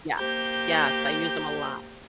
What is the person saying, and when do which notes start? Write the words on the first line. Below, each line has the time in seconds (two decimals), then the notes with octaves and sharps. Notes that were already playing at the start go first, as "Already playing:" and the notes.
Yes, yes. I use 'em a lot.
0.17 A#3 G4 C5 G6